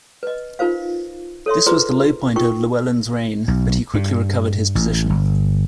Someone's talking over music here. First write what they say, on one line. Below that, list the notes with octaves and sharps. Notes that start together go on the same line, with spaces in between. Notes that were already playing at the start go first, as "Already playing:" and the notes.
This was the low point of Llywelyn's reign, but he quickly recovered his position.
B4 D#5
D#4 F4 A#4 C5 F5
A4 C#5 E5 C6
F4 G#4 B4 C5 A#5 C6
D#4 F4 A#4 G5 C#6
B1
G2
A1
G1